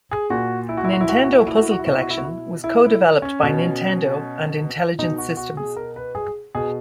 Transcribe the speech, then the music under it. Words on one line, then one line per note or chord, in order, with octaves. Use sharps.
"Nintendo Puzzle Collection" was co-developed by Nintendo and Intelligent Systems.
G#4
A#2 F#4
E4
F#4
E4
F#4
E4
F#4
E4
F#4
E4
F#4
E4
F#4
E4
F#4
E4
B2 F#4
E4
F#4
E4
F#4
E4
E4
E4
C#4
B2
B2 D#4
F#4
F#4
G#4
A#4
B4
G#4
B2 G#4